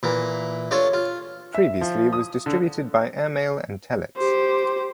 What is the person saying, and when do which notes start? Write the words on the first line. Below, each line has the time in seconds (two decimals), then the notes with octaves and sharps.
Previously it was distributed by airmail and telex.
0.03 A#2 E3
0.71 D4 F4 A4 C#5
0.93 F4
1.54 E5
1.81 F3
2.13 D#6
2.46 D3
4.17 G4 C5